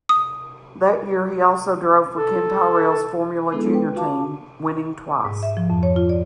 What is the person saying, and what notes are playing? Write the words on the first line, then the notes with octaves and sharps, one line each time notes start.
That year he also drove for Ken Tyrrell's Formula Junior team, winning twice.
D#6
A4
G#3 B3 D4 E4 G#4 A4
B4 G5
F4 F#4 F5 A5 D6
G#2
E5
F3
F2
C#5
F4
D5